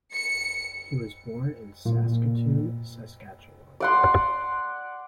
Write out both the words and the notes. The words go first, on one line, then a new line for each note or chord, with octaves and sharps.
He was born in Saskatoon, Saskatchewan.
C#7
A#2
D5 F#5 C6